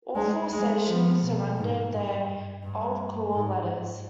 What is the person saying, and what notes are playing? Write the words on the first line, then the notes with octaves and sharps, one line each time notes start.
All four stations surrendered their old call letters.
G#3
G#3
F3
B2
G#2
G2
G2
G#2